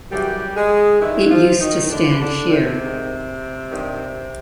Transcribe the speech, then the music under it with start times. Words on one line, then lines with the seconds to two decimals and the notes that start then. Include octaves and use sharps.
It used to stand here.
0.11 F#2 C#3 E3 G3 G4
0.56 G#3 G#4
1.00 G2 D#3 E3 E4
1.26 E4
1.31 F3 F4
1.60 D#3 D#4
1.90 A2 D3 E3 D4
2.20 D3 D4
2.50 C3 C4
2.81 G#2 D#3
3.70 G2 D#3